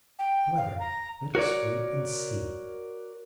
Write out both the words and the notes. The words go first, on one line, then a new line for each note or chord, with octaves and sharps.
However, let us wait and see.
G5
F5
A#5
F#4 A#4 C#5 D5